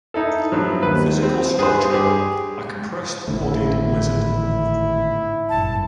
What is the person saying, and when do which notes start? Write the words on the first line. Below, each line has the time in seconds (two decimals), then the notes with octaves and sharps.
Physical Structure: A compressed bodied lizard.
0.14 D#4 E4 A4
0.52 G2 F3 F#3 B3
0.83 D#2 B4
1.22 C4
1.59 G2 G#4 B4 C5
1.91 G4 G#4
3.28 G#1 A2 D3 E3 A3 E4
5.49 G1 F#2 A#2 A5